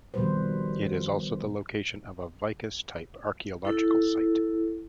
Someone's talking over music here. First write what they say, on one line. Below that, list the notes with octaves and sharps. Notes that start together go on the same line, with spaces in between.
It is also the location of a vicus type archaeological site.
B2 D#3 F3 G3 B4 C5
E4 A4